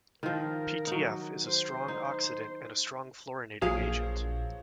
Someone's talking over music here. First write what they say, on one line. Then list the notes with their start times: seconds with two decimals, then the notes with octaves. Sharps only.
PtF is a strong oxidant and a strong fluorinating agent.
0.23 D#3 F3 A#4
0.87 F#3 D#4
1.43 C5
1.88 D#4
3.62 A#1 F3 F#3 G#4 F5